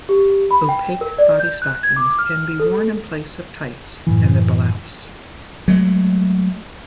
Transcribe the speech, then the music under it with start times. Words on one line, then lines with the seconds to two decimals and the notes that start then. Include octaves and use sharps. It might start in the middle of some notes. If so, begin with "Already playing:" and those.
Opaque bodystockings can be worn in place of tights and a blouse.
0.09 G4
0.51 B5
0.69 G5
1.01 A#4
1.18 D5
1.40 G6
1.62 F#6
1.83 G#6
1.96 D6
2.19 F6
2.60 A4
4.07 F#2 A2 E3
5.68 F#3 G#3 A3